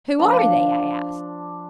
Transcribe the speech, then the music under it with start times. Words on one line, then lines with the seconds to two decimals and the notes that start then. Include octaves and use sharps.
"Who are they?" I asked.
0.19 F3 D4